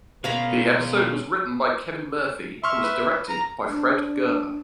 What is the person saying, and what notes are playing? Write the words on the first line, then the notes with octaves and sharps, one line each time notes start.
The episode was written by Kevin Murphy and was directed by Fred Gerber.
B2 G#3 A#4 C#5 F5 A#5 B5
E5 C6 C#6 F6
B4
A#5
D4